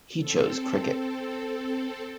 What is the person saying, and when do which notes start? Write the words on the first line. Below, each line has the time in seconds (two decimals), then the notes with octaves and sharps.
He chose cricket.
0.19 C4 A4